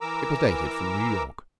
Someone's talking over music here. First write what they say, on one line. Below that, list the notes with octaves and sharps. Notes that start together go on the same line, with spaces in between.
It was dated from New York.
E3 A#4 A#5 D6 E6